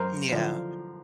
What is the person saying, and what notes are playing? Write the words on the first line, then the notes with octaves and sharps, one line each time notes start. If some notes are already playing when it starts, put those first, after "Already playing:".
Mm, yeah.
Already playing: F#2 A#4 C5
D3 F3